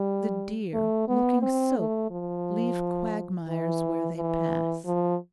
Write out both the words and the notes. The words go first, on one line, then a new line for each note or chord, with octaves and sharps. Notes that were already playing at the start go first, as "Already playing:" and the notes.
The deer, looking soaked, leave quagmires where they pass.
Already playing: G3
A3
B3
C4
A3
F3
E3
E3
F3